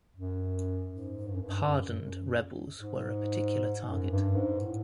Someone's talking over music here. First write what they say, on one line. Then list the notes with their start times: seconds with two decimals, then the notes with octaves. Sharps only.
"Pardoned" rebels were a particular target.
0.16 F#2
0.90 G#2
1.27 G2
1.35 F#2
1.42 G2
1.64 F#2
2.02 F#2
2.75 G#2
3.87 F#2
4.11 G2
4.36 G#2
4.60 A2